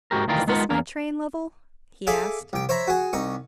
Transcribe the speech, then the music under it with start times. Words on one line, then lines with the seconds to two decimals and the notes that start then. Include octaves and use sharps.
"Is this my train, Lovell?" he asked.
0.11 G#2 D#3 F#4 G4 A#4
0.28 D2 D#3 E3 F4 A#4 G5
0.47 G#3 B3 D#4 F4 A#4 F#5
0.70 E2 A#3 A#4
2.07 G#4 A4 D5 E5 F5 A5
2.53 C2 G5
2.69 C5 C#5 E5 A#5 B5
2.87 F#4 G#4
3.13 C2 D#4 C#6